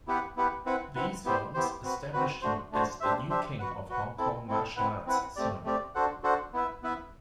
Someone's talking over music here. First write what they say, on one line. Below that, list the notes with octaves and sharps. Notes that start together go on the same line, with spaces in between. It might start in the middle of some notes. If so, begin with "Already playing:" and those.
These films established him as the "new king" of Hong Kong martial arts cinema.
B3 E4 G4 B4 F#5
B3 E4 G4 B4 F#5
C4 E4 B4 F#5
C4 E4 B4 F#5
B3 E4 G4 C5
B3 E4 G4 C5
C4 F#4 B4
C4 F#4 B4
A3 D4 F#4 C5
A3 D4 F#4 C5
D4 G4 C5 E5
D4 G4 C5 E5
F#4 B4 F#5
F#4 B4 F#5
C4 E4 A4
C4 E4 A4
C4 E4 B4 F#5
C4 E4 B4 F#5
A3 C4 G4 D5
A3 C4 G4 D5
D4 F#4 A4 C5 F#5
D4 F#4 A4 C5 F#5
B3 E4 B4 E5
B3 E4 B4 E5